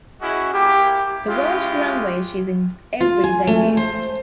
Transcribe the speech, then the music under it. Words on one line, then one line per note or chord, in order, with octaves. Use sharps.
The Welsh language is in every day use.
C#4 E4 F#4 G#4 D#5
A#3 E4 G4
G#3 C#4 E4 F4 G4
F4
G#5
A3
C5